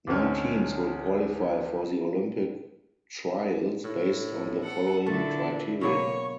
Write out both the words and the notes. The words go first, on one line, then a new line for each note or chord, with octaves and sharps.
Nine teams will qualify for the Olympic Trials based on the following criteria.
D2 D3 C4 C#4 D#4 F6
A2
A4 F#5
A#2 D3 A3 E4 A5
B2 F#3 A#3 C#5 C#6